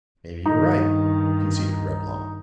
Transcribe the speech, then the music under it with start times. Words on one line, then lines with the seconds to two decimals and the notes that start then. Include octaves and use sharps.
"Maybe you're right," conceded Reblong.
0.46 G2 D#3 D#4